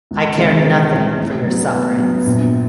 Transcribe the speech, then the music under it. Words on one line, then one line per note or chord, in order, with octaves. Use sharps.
I care nothing for your sufferings.
C#2
C3 E3 G#3
C#2
C3 E3 G#3
A2
F#3 B3
A2
F#3 B3
A#1